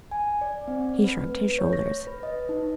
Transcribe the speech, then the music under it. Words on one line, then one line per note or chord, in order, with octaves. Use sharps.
He shrugged his shoulders.
G#5
D5
C4
B4
A3
C#5
A#6
B4
D#5
D#4